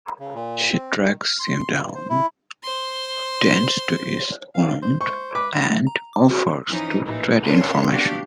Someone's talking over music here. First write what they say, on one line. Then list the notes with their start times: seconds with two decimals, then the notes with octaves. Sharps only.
She tracks him down, tends to his wound, and offers to trade information.
0.20 C#3
0.34 A#2
0.72 C4
1.00 D#3
1.22 F6
1.39 C6
1.71 G2
1.95 C5
2.10 E4
2.63 C5 C6
4.55 F5
4.83 C5
5.01 C5 C#6
5.35 B4 D6
5.70 A3
5.87 A#5
6.13 D6
6.30 F#4
6.68 E3 F3 C#4 D#4
7.04 A1 A#2 E3 D#4
7.46 C#4 D4 A#4 C#5 F5 C6
7.88 B3 D4 F#4 G4 F5